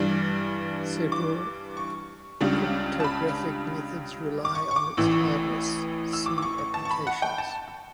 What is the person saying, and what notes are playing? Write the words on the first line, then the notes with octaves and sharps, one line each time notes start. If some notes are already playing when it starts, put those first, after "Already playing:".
Several cryptographic methods rely on its hardness, see Applications.
Already playing: G2 E3 G3 D4
D6
C#6
C#2 C#3 G3 D4
A5
B5
D6
C#6
C#6
D6
A1 A2 E3 E6
E6
D6
D6
C#6
C#6
A5
C#6
B5
F#5
G5
A5